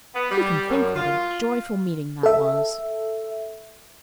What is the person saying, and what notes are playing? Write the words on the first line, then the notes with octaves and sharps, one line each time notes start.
You can think what a joyful meeting that was!
B3
G3
F#2
F4
A4 E5